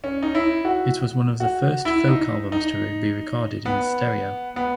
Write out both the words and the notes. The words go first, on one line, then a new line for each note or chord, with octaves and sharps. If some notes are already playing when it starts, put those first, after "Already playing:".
It was one of the first folk albums to be recorded in stereo.
C#4
D#4
E4
F#4
F#4
E4
D#4
D#4
B3
B3